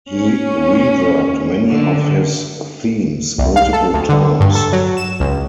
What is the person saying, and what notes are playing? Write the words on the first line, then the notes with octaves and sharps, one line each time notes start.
He reworked many of his themes multiple times.
C#4
D3
C2
F5
A4
D2
D3
G2
A4
F#3
E7
C#2